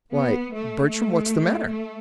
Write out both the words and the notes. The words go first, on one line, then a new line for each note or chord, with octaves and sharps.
"Why, Bertram, what's the matter?"
B3
A3
A3
A3